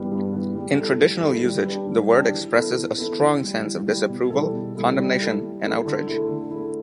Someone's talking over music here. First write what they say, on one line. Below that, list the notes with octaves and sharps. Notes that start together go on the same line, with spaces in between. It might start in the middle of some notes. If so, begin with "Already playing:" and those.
In traditional usage, the word expresses a strong sense of disapproval, condemnation and outrage.
Already playing: G2 E3 G3 B3
G2
E3 G3 B3
G3
E4 A4
G3
E4 A4
G3
D4 G4 B4
G3
D4 G4 B4
E3
B3 E4 A4
E3
B3 E4 A4
E3
G3 E4
E3
G3 E4
B2
G3 E4 A4
B2
G3 E4 A4
G3
E4 A4
G3
E4 A4
D3
A3 E4
D3
A3 E4